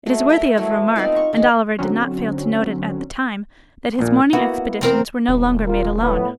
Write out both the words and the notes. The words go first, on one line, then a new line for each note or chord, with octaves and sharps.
It is worthy of remark, and Oliver did not fail to note it at the time, that his morning expeditions were no longer made alone.
F#3 A3
A#4 E5 G5 A#5
E3 F#3 A3
B3 C4 D#4 F4
A#5 C#6
D#3 G#3
D3 F#3 C4 C#4
A#1 A#2
A#3 B3 E4 F#4
E2 C4 A#4
D#1
F4 A#4
A2 B3